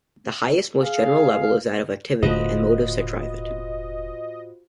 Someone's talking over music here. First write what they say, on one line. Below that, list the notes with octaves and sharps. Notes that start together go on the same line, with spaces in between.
The highest, most general level is that of "activity" and "motives" that drive it.
G#4 F5
E1 A2 D3 A3 F4 F#4 C5 D#5